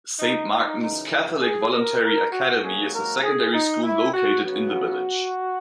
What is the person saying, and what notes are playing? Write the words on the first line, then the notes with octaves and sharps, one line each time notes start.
Saint Martin's Catholic Voluntary Academy is a secondary school located in the village.
D#4
D#4
F#2 C#3 E3 D#4
E4
G#4
A#4
A#4
F#4
G#2 F#3 A#3 G#4
A#4
G#4
D#4
E4
F#4
C#3 F#3 B3 F#4